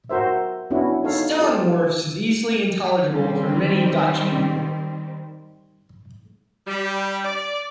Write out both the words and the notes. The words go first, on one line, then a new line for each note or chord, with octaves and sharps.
Stellingwarfs is easily intelligible for many Dutch people.
F#4 A#4 C5 E5
B3 C#4 D4 E4 F#4
D#4 A4 C#5 F5
F4 G4 A4 A5
D#3 G3 C4
G3
D5